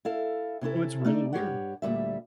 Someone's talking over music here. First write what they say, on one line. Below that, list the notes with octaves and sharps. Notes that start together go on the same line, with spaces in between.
So it's really weird.
E4 A4 F5
C3 C#4 E4 A4
A3 D#4 D5
G2 G4 C#5 F#5
D2 A#2 D#3 G3 E5